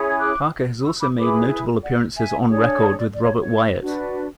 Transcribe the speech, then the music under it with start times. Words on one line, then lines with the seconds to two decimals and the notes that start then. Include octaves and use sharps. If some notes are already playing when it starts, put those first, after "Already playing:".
Parker has also made notable appearances on record with Robert Wyatt.
Already playing: C#4 E4 G#4 C#5
0.08 G#6
0.19 D6 F#6
0.84 C#6 E6
1.01 B5 D6
1.17 E4 G#4 B4 B5 D6
1.83 D5 F#5
2.16 E5 G#5
2.49 D4 G#4 C#5
2.82 F#5 A5
2.98 D5
3.15 D5
3.23 C#5
3.41 C#5
3.81 D4 F#4 B4